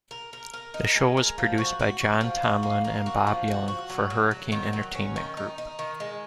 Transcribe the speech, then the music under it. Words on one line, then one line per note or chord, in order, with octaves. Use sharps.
The show was produced by John Tomlin and Bob Young for Hurricane Entertainment Group.
A#4
A#4
A#4
D#4
G#3
A#4
F3
F#4
F#4
F#4
F3
F#4
A#3
A#3
F#4
F3
F#4
F#4
F#3
F#3
F#3
D#3
F#3
C#4
D#3
D#4
D#4
D#3
G#3